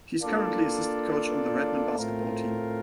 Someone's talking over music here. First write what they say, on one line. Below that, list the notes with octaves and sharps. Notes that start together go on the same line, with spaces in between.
He is currently assistant coach on the Redmen Basketball Team.
A#3 D4 F4 A4 D5
A2 A3 C4 F4 A#4